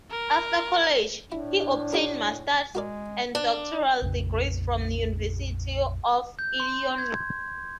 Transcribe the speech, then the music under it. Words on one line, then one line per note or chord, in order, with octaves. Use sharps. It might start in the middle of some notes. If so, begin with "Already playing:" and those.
After college, he obtained masters and doctoral degrees from the University of Illinois.
A#4
A2 D4 E4
F#4 G#4 A#4
G#3 F#4 A#4 D5
D4
A#1 F2 C#3
G6
C6
G#6